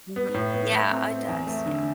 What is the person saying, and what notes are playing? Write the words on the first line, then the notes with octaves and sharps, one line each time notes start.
Mhm yeah, it does, yeah.
B3
A2
B3
A3
C4
C4
E2
A3
D3